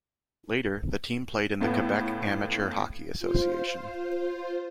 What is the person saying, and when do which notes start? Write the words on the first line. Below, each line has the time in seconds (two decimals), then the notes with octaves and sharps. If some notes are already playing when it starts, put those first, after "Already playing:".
Later the team played in the Quebec Amateur Hockey Association.
1.61 C#2 A2 A3 B3
3.19 F4 C5